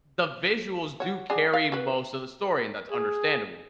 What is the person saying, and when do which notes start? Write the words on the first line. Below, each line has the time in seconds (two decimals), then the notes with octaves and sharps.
the visuals do carry most of the story, and that's understandable.
1.00 F#4 C#5
1.30 D4 F#4 G#4
1.54 F5
1.72 F#4 B4
2.90 G#4